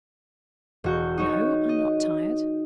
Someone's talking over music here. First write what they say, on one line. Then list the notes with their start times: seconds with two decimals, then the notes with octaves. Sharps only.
"No, I'm not tired."
0.84 E1 F#4 G6
1.18 D#4 F#4 C#5
1.69 D#5